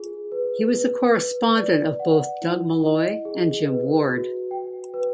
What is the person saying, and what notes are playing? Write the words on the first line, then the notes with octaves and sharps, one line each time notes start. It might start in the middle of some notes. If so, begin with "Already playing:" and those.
He was a correspondent of both Doug Malloy and Jim Ward.
Already playing: F4 G#4
B4
B4
B4
D5
F#5
E4
D#5
G#4
B4
F#4
G5
B4